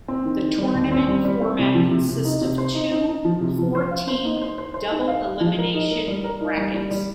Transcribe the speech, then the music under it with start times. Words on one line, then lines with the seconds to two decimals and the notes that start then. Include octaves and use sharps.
The tournament format consists of two four-team double-elimination brackets.
0.08 C4
0.25 D#3
0.42 D#3
0.58 G3
0.75 D#2
0.92 C4
1.08 G3
1.25 G3
1.42 C4
1.59 C3
1.75 F3
1.91 C3
2.09 C3
2.25 D#4
2.41 C3
2.58 C5
2.75 D#4
2.92 D#4
3.08 D#4
3.25 F3
3.41 C3
3.58 F3
3.75 C5
3.91 F5
4.08 C5
4.25 D#4
4.42 C5
4.58 C5
4.74 C5
4.91 D#4
5.08 F5
5.24 F5
5.41 F3
5.58 A#4
5.74 D#4
5.91 A#4
6.08 G3
6.24 A#4
6.41 D#4
6.57 G3
6.74 G3
6.91 G3